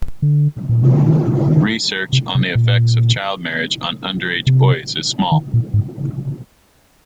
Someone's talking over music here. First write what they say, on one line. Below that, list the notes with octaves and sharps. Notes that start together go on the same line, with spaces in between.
Research on the effects of child marriage on underage boys is small.
D3
A#2
C3
D3
D#3
D#3
C3
C3
A#2
C3
D#3
A#2
G#2